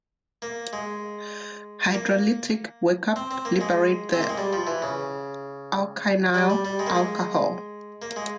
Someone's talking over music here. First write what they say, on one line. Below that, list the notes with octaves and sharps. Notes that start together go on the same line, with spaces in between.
Hydrolytic workup liberate the alkynyl alcohol.
A#3
G#3
A#3
C4
C4
A#3
G#3
C4
A#3
G#3
G3
F3
E3
C#3
G3
G3
G3
G#3
A#3
G#3
A#3
G#3